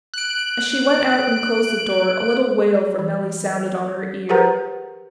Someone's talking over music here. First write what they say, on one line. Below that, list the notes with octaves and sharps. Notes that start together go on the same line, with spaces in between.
As she went out and closed the door, a little wail from Nellie sounded on her ear.
F#6 D7
E3
G4 G#4 A#4 B4 F#5 A#5